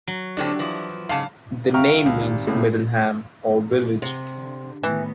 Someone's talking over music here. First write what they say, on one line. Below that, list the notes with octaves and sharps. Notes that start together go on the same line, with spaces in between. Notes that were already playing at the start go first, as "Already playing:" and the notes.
The name means "middle "ham" or village".
F#3
A2 D3 C4 D4 G4
E3 F3
G#2 C#3 F5 A5
E5 F5 G5 A#5 C#6 F6
C#2
G#1 C3
C2 A2 C#3 A3 A#3
C3
D3
A2 D#3 E3 B3